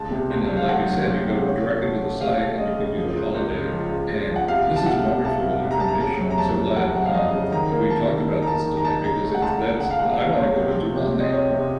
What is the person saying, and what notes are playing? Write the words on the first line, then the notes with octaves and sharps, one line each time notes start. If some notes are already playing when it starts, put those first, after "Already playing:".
you know, like you said, you go r directly to the site and you can do a holiday, and this is wonderful information, I'm so glad, um, we talked about this today because it's that's I wanna go to Dubai,
Already playing: C#2 A5
C3
C#2
F#3
F5
A3 F#5
F#3
F#3
C3
C#4
C#4
A3
A3
A3 F5
A3
C#3 D#5
C#3
F3
C#2
C#2
C#3
F3
C#2
C#3
F3
F#5
C2 F5
C3
A5
C2 F#5
C3
C2 A5
C2
C2
A#5
C2 A5
A#5
C#3 A5
F#3
A#5
F2 A5
C#3
F2 F#5
F#3 F#5
F5
F2 D#5
C#3
D#3 A#5
A#3
D#3 A5
D#3
D#4
A#5
A#3 A5
D#3
A#5
D#4 A5
C#3 A#5
A3
F#5
C#2 A5
C#2
C#2 F#5
F5
C#2 F#5
A3 F5
C#2 C#5
C3
F3
C3
C4
D#5
C4 C#5
C3